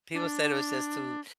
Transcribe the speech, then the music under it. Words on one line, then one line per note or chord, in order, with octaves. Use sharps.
People said it was just too
D4